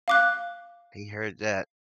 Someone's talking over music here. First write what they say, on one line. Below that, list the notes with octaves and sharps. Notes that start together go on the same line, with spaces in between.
He heard that.
F5 D6 F#6